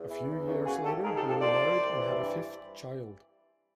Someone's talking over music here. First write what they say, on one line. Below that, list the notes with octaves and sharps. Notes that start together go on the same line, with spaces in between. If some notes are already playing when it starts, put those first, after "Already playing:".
A few years later he remarried and had a fifth child.
Already playing: E2
E3
E2
C#3
A#3 F#4 G#4
G#2 G4 A4
G#2 G#4 A#4
G4 A4
F3
G4 A4
C2 C5 D5
C2
C3
E3
G2